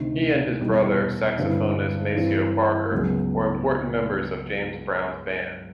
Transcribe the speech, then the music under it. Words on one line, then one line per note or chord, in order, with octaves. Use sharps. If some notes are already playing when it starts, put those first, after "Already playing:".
He and his brother, saxophonist Maceo Parker were important members of James Brown's band.
Already playing: D2 C3 D#3
E2 B2 G3
G2 D3 G3 C4 E4
G2 E3 G3 C4
C#2 C#3 F#3 B3